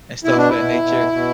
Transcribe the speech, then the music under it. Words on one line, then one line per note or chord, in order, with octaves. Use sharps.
and stuff of that nature.
B2 E4
D4
B2 E4
B2
B2